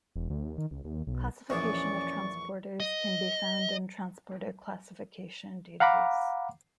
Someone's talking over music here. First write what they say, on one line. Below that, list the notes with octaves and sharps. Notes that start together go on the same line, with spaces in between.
Classification of transporters can be found in Transporter Classification Database.
E1
D2
D#2
D#3
C#2
D#2
B1
A#1 E2 C#4 D5 C#6
D#5
F5 F#5 A#5 B5 D6